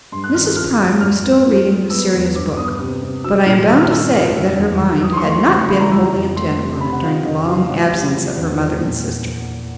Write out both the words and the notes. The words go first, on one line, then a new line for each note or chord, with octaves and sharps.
Mrs. Prime was still reading the serious book; but I am bound to say that her mind had not been wholly intent upon it during the long absence of her mother and sister.
G2 C6
F#6
D#3 F6
F#6
F3 F6
F2
G#2 F6
B3
F3
G#3
B3 E6
E2
G2 D6
B3 D#6
C3
C3
F#3 E6
A#2 F6
D#3 E6
F6
G2 E6
F2
D3
E2
E2
E3 D#6
C6
C#6
A3
C6
C#3 C#6
C6
E3 B5
A#5
F2 E6
F2
A3 C6
C3
C3 B5
F#5
F2 F5
C#3 D#5
F#3 F5
A2 F#5
G3
F3
E2
F3
A#2